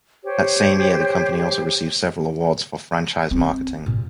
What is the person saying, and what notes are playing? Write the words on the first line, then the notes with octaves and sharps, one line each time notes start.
That same year, the company also received several awards for franchise marketing.
G4 C5 C#5
C4
A#2